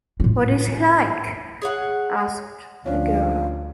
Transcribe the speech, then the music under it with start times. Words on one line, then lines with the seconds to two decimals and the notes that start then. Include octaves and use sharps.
What is he like? asked the girl.
0.20 A2 F4
1.62 G#4 C#5 F#5
2.86 D2 F3 C#4 D4 F5